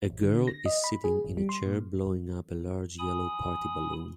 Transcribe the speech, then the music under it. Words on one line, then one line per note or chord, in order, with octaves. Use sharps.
A girl is sitting in a chair blowing up a large yellow party balloon.
A1
D3
A#6
D#5
B5
G#4
A1
G3
C6
A#2
G#5 B5 D#6